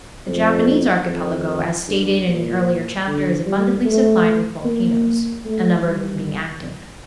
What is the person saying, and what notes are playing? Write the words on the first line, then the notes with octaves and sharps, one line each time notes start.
The Japanese archipelago, as stated in an earlier chapter, is abundantly supplied with volcanoes, a number of them being active.
F2
F2
G2
A#2
D3
G3
A3
A#3
A3
G3